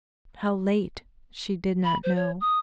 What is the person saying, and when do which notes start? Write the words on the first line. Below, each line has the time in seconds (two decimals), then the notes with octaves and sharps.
How late she did not know.
1.84 B5
2.04 C5
2.16 C#5
2.41 D#6